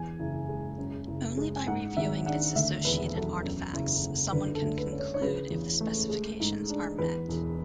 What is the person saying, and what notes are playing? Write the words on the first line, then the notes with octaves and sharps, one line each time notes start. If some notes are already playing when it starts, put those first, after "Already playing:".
Only by reviewing its associated artifacts, someone can conclude if the specifications are met.
Already playing: E2 G#5
F#1
G#3
F#2
F#1
G#3
G#5
G#2 F#5
G#1 E5
D4 F#5
D2 E5
E1 B4
F#3 A4
F#2
F#1
F#1
D3 B4
A4
D2
B4
C#4
C#5
C#5
C#3 B4
E2
A3
G#3
G#2
D4
E2 B4
E1